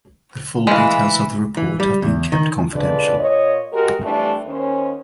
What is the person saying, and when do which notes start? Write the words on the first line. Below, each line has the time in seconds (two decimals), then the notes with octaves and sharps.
The full details of the report have been kept confidential.
0.67 E3 G#3 F5
1.57 E3
1.80 G3
2.02 E2
2.32 D#3
2.73 F2 G#3 D4 B4 D5
3.18 A#2 C#5 D#5
3.72 G#3 F#4 G4 A#4
4.01 F2 E3 G3 A3 D4
4.45 D#2 C#4 C5